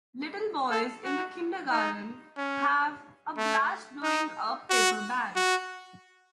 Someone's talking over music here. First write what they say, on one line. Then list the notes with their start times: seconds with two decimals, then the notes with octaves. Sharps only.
Little boys in the kindergarten have a blast blowing up paper bags.
0.71 A4
1.04 F#4
1.71 D#4
2.37 C#4
3.37 A3
4.03 D#4
4.70 F#4
5.36 F#4